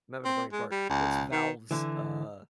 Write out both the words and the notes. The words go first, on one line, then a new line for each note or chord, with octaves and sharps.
I'm having a brain fart. What's Valve's, uh
C4
G#3
G3
C#2
D#3
D3 E3